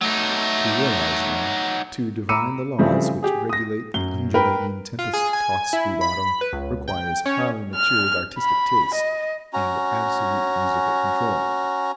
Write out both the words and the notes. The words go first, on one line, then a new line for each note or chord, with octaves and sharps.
To realize them, to divine the laws which regulate the undulating, tempest-tossed rubato, requires highly matured artistic taste and absolute musical control.
F#3 A3 D#4
A#5 B5 D6 E6 C#7 D#7
C#3 E3 F3 G3 A3 C4
G4 G#4
D#6 A#6
F#2 G7
A#4 B4 G5 B5
F4
G#4
G#5
E4
B5
B4
C#2
G5
C#4
F6
B5
D#5
C#4 F#4 A#5